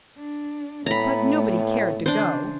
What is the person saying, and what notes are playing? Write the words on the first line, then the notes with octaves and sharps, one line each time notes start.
But nobody cared to go.
D4
A2 A3 B3 A#5 B5
C#3 E3 D4 C5